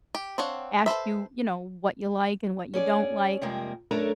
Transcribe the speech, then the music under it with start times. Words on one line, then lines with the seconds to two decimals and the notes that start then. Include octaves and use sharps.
ask you, you know, what ya like and what ya don't like.
0.15 G4
0.38 C4 D4 C#5 F5 F#5
0.86 A4 B4 C5 E5
2.74 C#4 G#4 D5
3.41 F2 C3 G3 G#3 A#3 A#4
3.91 F#2 A3 D4 A#4 C#5 A#5